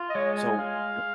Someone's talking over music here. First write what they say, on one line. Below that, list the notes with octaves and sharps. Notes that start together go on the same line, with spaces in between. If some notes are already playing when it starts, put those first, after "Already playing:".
So the
Already playing: F4
D#5
G#3 C#5
G#5
G#3 F5